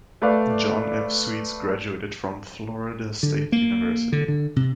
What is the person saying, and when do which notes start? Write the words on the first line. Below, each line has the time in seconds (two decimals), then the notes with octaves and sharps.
John F. Sweets graduated from Florida State University.
0.22 A3 B4 D5 F5
3.23 D3
3.52 A#3
4.12 D3
4.28 D3
4.56 C3